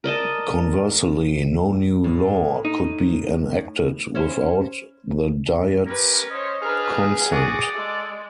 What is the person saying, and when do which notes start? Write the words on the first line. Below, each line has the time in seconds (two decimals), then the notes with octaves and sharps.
Conversely, no new law could be enacted, without the Diet's consent.
0.04 A#4 D5 D#5 A5
2.04 A2
2.65 D#4
4.15 C#4 E4 C5
5.86 C#4 G4 A#4 B4
6.31 C5 C#5 D#5
6.62 D4 G#4 B4 F6
7.31 F#4 D5 D6 D#6
7.75 G#3 A4